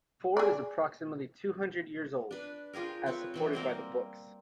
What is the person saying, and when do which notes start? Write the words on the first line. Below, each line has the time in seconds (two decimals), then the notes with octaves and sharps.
Ford is approximately two hundred years old, as supported by the books.
0.37 G#4 D5
2.31 D4 B4
2.73 F4 G4 G#4 A#4
3.06 C4 B4 C#5
3.34 C3 E3 F#3
3.53 G3 A#3 C4 A#4